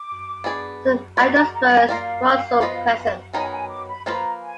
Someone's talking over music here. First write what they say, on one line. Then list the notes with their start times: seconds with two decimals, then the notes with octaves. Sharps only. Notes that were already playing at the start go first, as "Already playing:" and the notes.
Some angiosperms were also present.
Already playing: D6
0.44 B3 D4 G#4 D5
1.16 G#3 D4 F#4 A#4 D5 B5
1.34 A#5
1.53 A#5
1.71 G#5
1.89 A#3 F4 A#4 D5 F5
2.61 F3 B3 F4 B4 D#5
3.33 D#3 F#3 B3 D#4 A#4 G#5
3.52 G#5
3.69 D6
3.88 B5
4.06 F3 A#3 D4 F4 B4 A#5
4.42 G#5